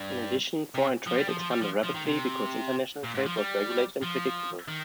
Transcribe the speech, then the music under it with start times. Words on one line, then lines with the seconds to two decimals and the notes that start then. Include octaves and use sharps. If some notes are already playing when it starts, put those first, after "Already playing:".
In addition, foreign trade expanded rapidly because international trade was regulated and predictable.
Already playing: G2
0.75 C3
1.07 F3
1.17 G3
1.28 F3
1.39 F3
1.51 G3
1.61 F3
1.83 F3
1.94 D#3
2.05 C3
3.04 A#2
3.14 G#2
3.26 F3
3.37 G3
4.03 F3
4.68 D#3